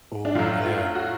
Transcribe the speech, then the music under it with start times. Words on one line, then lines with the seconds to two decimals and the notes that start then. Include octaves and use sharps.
Ooh, yeah.
0.25 D4
0.35 A2 F#3 F4
0.65 F4
0.95 F#4